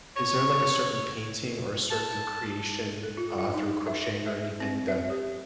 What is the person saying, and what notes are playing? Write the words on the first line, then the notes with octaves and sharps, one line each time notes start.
is there, like, a certain painting or a certain creation, uh, through crocheting or anything that
C#5
A5
A4
F4
F5
D#4
E5
E5
C4
E5
G4